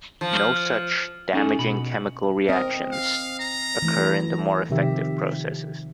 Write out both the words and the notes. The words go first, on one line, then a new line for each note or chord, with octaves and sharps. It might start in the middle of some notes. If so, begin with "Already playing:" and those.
No such "damaging chemical reactions" occur in the more effective processes.
F3
C#4 D#4 E4 G#4 A4
B2 F#4 B5
C4 A#4 D#5
F5
A#5
E3 A3 E4
C3 D#3 F3 G4 E5